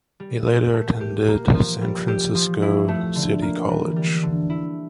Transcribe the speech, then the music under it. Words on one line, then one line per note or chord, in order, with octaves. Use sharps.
He later attended San Francisco City College.
G3
A#2
A3
G4
A#3
F3
G3
G4
F3
E4
A3
D3
A#3
E3
G3
D3
E4